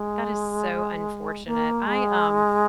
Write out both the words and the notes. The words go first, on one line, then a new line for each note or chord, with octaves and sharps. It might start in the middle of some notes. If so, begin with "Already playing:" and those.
That is so unfortunate. I, um,
Already playing: G#3
A#3
G#3